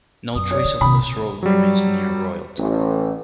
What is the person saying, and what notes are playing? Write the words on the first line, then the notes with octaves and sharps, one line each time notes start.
No trace of this road remains near Royalton.
F#2 D#6
C#5 D5
D3
C3 D#3 B5
F#3 G3
A1